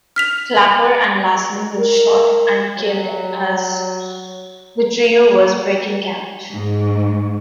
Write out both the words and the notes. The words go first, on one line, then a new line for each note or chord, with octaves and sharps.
Clapper and Lassen were shot and killed as the trio was breaking camp.
F6 B6 F7
A#4
F#3
G#2